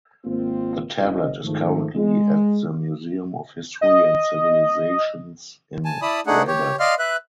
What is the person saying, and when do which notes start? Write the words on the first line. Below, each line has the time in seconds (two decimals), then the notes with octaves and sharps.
The tablet is currently at the Museum of History and Civilizations in Rabat.
0.25 G#1 A#3 C4 F4
0.98 F#1 D#5
1.43 G#2 D#3 F3 A3
1.94 G#3
3.81 D#5
5.85 G#5 A5
6.02 E4 D5 A5 B5 D#6
6.27 A3 D4 D#4 G#4 F#5
6.48 G4 C#5
6.80 D5 D#5 F5 C6 F6
6.99 B4 E5 F#6